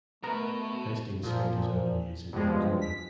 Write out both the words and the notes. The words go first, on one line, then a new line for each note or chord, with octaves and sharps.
Hastings spent his early years in Vancouver.
B2 A3 B3 A#4
A#2 F3
G2 B2 F3 G#3
B6